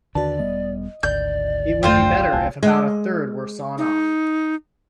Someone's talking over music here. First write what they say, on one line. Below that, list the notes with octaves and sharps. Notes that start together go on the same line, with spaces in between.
It would be better if about a third were sawn off.
D#2 D3 F#4 B4 D5 A5
E1 G3 B3 D#5
G#1 D2 D5 G6
F#2 D3 A3 C4 F4 C5
D1 B1 A2 G#5 A5
G#3
D#4